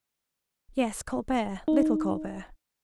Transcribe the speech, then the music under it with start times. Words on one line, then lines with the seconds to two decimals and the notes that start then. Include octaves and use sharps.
"Yes, Colbert, little Colbert."
1.68 D#4